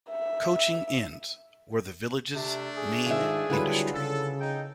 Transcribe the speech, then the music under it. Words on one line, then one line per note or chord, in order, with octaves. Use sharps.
Coaching inns were the village's main industry.
E5
C3 A3 D4
G#4
G#2 D#3 F4 E5
D3 F#3 G3 E4 F4 B4
C#3 A4
D#4 G5